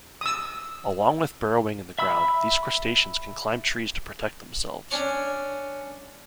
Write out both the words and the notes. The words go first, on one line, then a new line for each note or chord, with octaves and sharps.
Along with burrowing in the ground, these crustaceans can climb trees to protect themselves.
D#6 E6
E5 B5 E6
C#4 D4 C#5